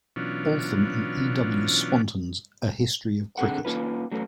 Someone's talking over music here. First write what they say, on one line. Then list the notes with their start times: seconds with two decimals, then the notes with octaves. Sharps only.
Altham and E. W. Swanton's "A History of Cricket".
0.16 B2 E3 F#3 C#4 D4 F4
3.38 D3 C4 G#4 A#4 F#5
3.65 A#3 C#4 F4 B4
4.12 F#3 A3 C#4